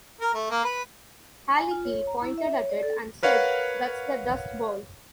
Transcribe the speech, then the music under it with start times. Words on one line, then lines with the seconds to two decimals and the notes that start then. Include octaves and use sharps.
Halicki pointed at it and said, That's the dust bowl.
0.21 A#4
0.34 A3
0.50 A#3
0.64 B4
1.56 G#5
1.71 F4
1.85 C#5
2.07 A#5
2.22 E4
2.38 E5
2.53 C#5
2.69 D5
2.83 A4
3.23 A#4 B4 C#5 F5 F#5